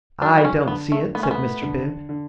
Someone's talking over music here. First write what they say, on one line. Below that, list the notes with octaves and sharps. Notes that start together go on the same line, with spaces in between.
"I don't see it," said Mr. Bib.
F#3 D4
B3
C#4
D3 B3
A3
A3 B3
C#4
B3
D3
D3